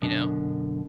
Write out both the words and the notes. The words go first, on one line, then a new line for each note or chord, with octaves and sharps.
you know?
F#2 B2 D3